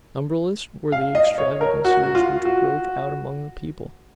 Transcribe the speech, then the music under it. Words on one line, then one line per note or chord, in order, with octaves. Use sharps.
Numberless were the extravagancies which broke out among the people.
F5
D#5
C#5
A#4
F#4
F#4
F4
F#4